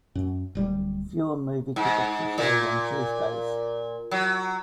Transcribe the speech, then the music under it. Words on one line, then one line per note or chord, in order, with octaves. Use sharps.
Fewer movie tickets were sold on Tuesdays.
F#2
D1 G3
G#2
A#2
F#3